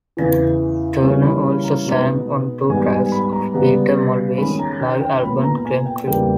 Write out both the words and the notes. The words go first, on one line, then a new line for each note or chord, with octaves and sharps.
Turner also sang on two tracks of Peter Mulvey's live album "Glencree".
E2 C#3 E3
C#3 E3 G3 A#3 C#4
B5
B5
A#5
B2 G#3 B3 D#4
G#2 G3 B3 G#5
G#5
B5
A#5
C#3 G3 B3
D#3 G#3 C#4 B5
A#5
G5
G5
A#2 G#3 B3 B5
A#5
G#5
G5
E2 C#3 G3 A#3 G5